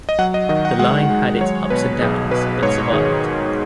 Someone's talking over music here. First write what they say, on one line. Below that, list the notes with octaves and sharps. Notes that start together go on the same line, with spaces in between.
The line had its ups and downs, but survived.
D#5
F#3 F#5
D#5
D#3 D#5
F#5
G#3 F#5
G#3
F#3 C#5
B2 B4
B1 G#4
B2 B4
G#2 C#5
D#3 G#4